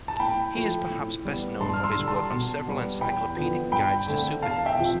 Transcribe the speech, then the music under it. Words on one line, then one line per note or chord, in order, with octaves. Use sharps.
He is perhaps best known for his work on several encyclopedic guides to superheroes.
A5
A2 G5 B5
F3 A3
A2
G3 B3
G2 A5 C6
F6
C6 E6
D3 G3
A5 C6
B2
G3 B3
E2 G5 B5
D3 F3 B3
G2 G5 B5
D3 A3 C4
E2 F5 A5
E5 G5
C3 F3